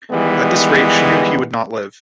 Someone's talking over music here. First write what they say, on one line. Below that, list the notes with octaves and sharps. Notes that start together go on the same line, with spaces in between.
At this rate she knew he would not live.
D#3 E3 G3 G#3 B3